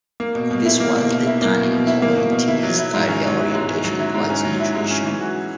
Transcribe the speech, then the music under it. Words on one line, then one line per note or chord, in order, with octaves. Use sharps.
This was the turning point in his career orientation towards nutrition.
A#3
B2
B2
E4
A#3
B2
B2
E4
A#3
B2
B2
E4
A#3
B2
B2
E4
F#3
E4
G#2
C#4
F#3
E4
G#2
C#4
F#3
E4
G#2
C#4
F#3
E4
G#2
C#4
E3
F#4